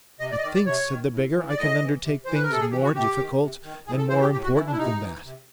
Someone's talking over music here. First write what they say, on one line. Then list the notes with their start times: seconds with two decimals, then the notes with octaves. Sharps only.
"I think," said the beggar, "I can undertake things more difficult and more important than that."
0.20 C3 D#5
0.31 D5
0.38 D#5
0.42 D#3 D5
0.54 D5
0.66 C3 C#5
0.89 D#3
1.11 A2
1.34 E3
1.48 D5
1.57 A2 D#5
1.80 E3
2.03 C3
2.25 E3 C5
2.34 B4
2.43 A#4
2.49 C3 A4
2.60 G#4
2.72 E3 G4
2.83 F#4
2.94 C3 G4
3.18 D#3
3.40 C3
3.63 D#3
3.86 A2 G#4
3.97 A4
4.09 E3 C5
4.21 G4
4.32 A2 G4
4.43 F#4
4.55 E3 E4
4.66 D4
4.72 E4
4.78 C3 D#4
5.01 E3
5.24 C3